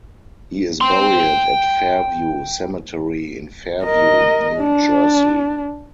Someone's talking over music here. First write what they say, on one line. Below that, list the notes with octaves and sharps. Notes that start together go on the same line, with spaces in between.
He is buried at Fairview Cemetery in Fairview, New Jersey.
G5 C6
A#4 D#5
D4